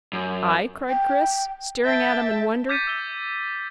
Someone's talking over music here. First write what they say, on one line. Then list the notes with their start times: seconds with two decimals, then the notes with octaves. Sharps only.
"I?" cried Chris, staring at him in wonder.
0.13 F#2
0.89 G5
1.84 E5 G5 A5 A6
2.69 D6 G6 A6 B6 C#7 D#7
2.87 E6 G7